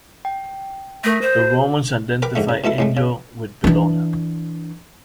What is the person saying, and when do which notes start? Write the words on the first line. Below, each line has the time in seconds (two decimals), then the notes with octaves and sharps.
The Romans identified Enyo with Bellona.
0.25 G5
1.04 A3 A#4 A#6
1.22 C5
1.39 F#4
2.22 A#4 B4 G5 D6
2.35 G#2 D3 A3
2.49 C#3
2.64 B2 A3 E4 A4
2.78 A2 G#3 A3
2.97 C#3
3.64 E3 D4